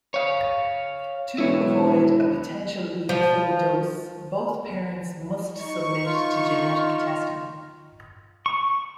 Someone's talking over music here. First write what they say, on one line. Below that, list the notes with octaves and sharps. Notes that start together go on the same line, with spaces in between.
To avoid a potential "lethal dose," both parents must submit to genetic testing.
C#5 F5
E1 E4 C#5
F3
D#4 C#6
F4
C#6